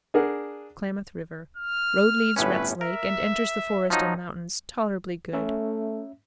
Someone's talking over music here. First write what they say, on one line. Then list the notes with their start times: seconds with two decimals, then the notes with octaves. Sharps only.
Klamath River.--Road leaves Rhett's Lake, and enters the forest and mountains; tolerably good.
0.14 D4 G#4 A#4 F#5
1.57 F6
2.36 G1 A2 C#4 B4
2.81 A#4 E5
3.90 F3 F#3 D#4
5.33 A3 C#4 E5